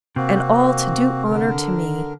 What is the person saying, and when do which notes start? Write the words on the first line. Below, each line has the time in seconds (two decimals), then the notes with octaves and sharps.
And all to do honour to me!'
0.16 C3 A#3 C4 F#4
1.25 D3 A#4